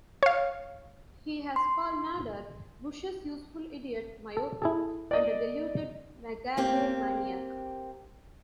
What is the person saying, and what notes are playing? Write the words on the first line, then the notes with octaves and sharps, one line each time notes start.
He has called Nader "Bush's Useful Idiot," myopic, and a deluded megalomaniac.
C#5 F5
C6
A4
E4 G#4 A4
D5 D#5
A#3 C4 G4